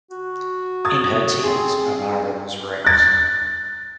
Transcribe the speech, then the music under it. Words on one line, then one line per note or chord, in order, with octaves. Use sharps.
In her teens Amara was raped.
F#4
D#6 G#6 A6
C4 G#4
F#6 A6